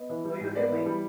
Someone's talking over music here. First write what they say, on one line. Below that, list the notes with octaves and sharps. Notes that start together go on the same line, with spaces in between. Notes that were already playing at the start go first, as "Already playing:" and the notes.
Do you hear me!
Already playing: B3 D#5
E3
G3
G#2
B3 D5
E3
G3